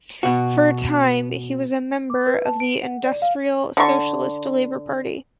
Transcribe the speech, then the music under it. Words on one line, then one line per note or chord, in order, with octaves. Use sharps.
For a time he was a member of the Industrial Socialist Labor Party.
B2 F#4
D6
B4
A5
D7
F#5
D5
F5
D3 C#6